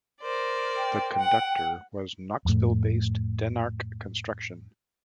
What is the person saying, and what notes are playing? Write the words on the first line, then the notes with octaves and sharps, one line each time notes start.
The conductor was Knoxville-based Denark Construction.
A#4 C5 D5
G5
F#5
F2 A2